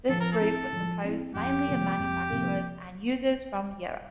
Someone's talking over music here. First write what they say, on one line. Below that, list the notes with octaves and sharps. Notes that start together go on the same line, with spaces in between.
This group was composed mainly of manufacturers and users from Europe.
F3 A4
A#4
A4
C4 E4
F3
C4 E4
F2 G4
C3 F3 A#3
F2
C3 F3 A#3